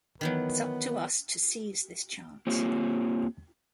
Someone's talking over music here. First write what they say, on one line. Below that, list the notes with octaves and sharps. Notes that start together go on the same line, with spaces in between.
It's up to us to seize this chance.
D#3 E3 F#3 B3
A#3 C4 F4 G4 C#5